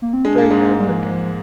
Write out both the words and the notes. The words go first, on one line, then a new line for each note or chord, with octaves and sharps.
very nerve-wracking.
A#3
C4
G#3 D4
A#3
G#2 G#3
G3
F3
F3